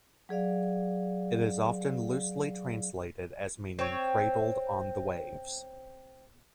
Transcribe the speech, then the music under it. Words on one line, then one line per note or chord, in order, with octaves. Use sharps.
It is often loosely translated as meaning cradled on the waves.
F#3 G#4 D5 F5
C4 C#5